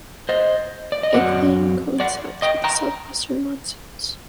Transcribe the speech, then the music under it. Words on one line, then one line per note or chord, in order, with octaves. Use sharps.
Egg laying coincides with the southwestern monsoons.
C5 D#5
D5
D#5
F#2 F#3 C4 D5 F#5
D5 F#5
D#5 G5
G5 A#5